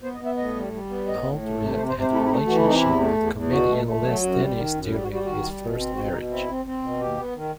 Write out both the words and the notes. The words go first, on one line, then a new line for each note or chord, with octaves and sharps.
Aldred had a relationship with comedian Les Dennis during his first marriage.
B3 C5
D#5
B3
E5
A2 D#5
G3
G3
B3
A2 D#5
A2
A3
C3
C3 C5
C5
C3
C5
A3 E4
E4
A3 D#4
E3 F#4
E4
C3 D#4
E4
E2
A3
E2
E2
B2 F#4
A3
A3
F#3
F#2 F#4
G3
D#3
F#2
G3 E4
F#4
G3
F#4
D#3 F#4
G3
B2
C4
B2 F#4
B2 D#4
C4 E4
C4
C4
B2
D#2 G4
B3
D#3